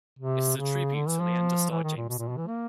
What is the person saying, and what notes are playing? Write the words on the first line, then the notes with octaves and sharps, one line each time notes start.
It is a tribute to Leander Starr Jameson.
C3
C#3
D3
E3
F3
E3
D#3
A#2
B2
A#2
B2
E3
A#3